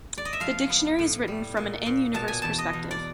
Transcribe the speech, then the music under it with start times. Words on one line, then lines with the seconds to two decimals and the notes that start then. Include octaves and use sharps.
The dictionary is written from an in-universe perspective.
0.18 D5
0.25 D#5
0.33 E5
0.40 F3 F5
0.69 B3
0.99 A2
1.28 G3
1.57 A#2
1.86 A#2
2.14 B2 A5
2.28 G#5
2.42 E2 A5
2.58 D#5
2.73 E2
2.91 D5